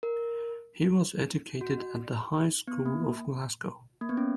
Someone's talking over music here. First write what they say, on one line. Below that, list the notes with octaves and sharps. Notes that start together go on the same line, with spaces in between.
He was educated at the High School of Glasgow.
A#4
F#4
B3
A#3
A#3
B3
C#4